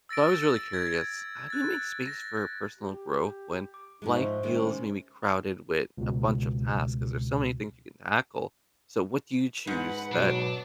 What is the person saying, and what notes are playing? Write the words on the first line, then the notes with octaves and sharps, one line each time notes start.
So, I was really curious, how do you make space for personal growth when life feels maybe crowded with a bunch of tasks ’cause there's so many things you can tackle. So, what do you choose that
E6 A6 A#6 D7
G#6
F#6 A6
A#6
G4
D6
G#2 F3 G#3 D#4
C5 E5 C#6
C3 D#3 G#3 C#4
C#2 B2
G#2 B4 F#5
B2 F#3 D4